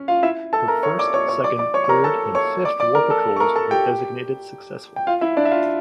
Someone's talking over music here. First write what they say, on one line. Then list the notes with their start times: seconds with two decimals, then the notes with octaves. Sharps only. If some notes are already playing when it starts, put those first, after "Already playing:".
Her first, second, third, and fifth war patrols were designated successful.
Already playing: C#4
0.08 F4 F5
0.23 E4 E5
0.53 A4 A5
0.68 A#4 A#5
0.83 C#5 C#6
0.98 D5 D6
1.14 C#5 C#6
1.28 C#5 C#6
1.44 D5 D6
1.59 D5 D6
1.74 C#5 C#6
1.84 C#6
1.89 A#4 A#5
2.04 A4 A5
2.35 C#5 C#6
2.65 D5 D6
2.80 D5 D6
2.95 A#4 A#5
3.10 A4 A5
3.36 C#6
3.40 A#4 A#5
3.56 A4 A5
3.71 G4 G5
4.96 G5
5.07 F4 F5
5.21 E4 E5
5.37 D4 D5
5.45 E5
5.51 F4 F5